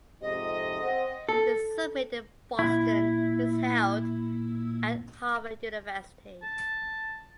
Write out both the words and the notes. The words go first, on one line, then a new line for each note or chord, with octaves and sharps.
The summit in Boston is held at Harvard University.
F2 G#2 C3 D#5
C4 F#5
A4
A#2 E4
A5